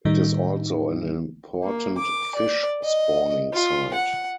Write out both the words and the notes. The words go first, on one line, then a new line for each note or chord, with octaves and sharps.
It is also an important fish spawning site.
A2 D#3 G3 D#4
A#3
D6
D5
D#5
F4
F#5